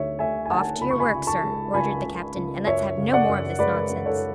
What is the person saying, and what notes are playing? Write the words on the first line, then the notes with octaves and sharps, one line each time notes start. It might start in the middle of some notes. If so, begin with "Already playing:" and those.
"Off to your work, sir," ordered the captain, "and let's have no more of this nonsense."
Already playing: D2 A3 C#5 E5
A3 E5 G#5
G#5
D2 F#5 A5
C#2 B5
C#6
G#5 B5
C#2
A5 C#6
G#3
C#2 G#5 B5
C#2
C#2
F#2 C#5 E5
C#3
D5 F#5
F#2
G#3 B4 D5
F#2
A4 C#5